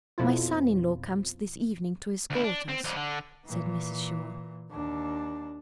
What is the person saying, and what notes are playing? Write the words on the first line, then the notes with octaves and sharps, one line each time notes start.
'My son-in-law comes this evening to escort us,' said Mrs. Shaw.
F2 B2 F3 E4 F4
D2 E4
D4
C4
F2 D3
D3
A#2 E3
D#2 D4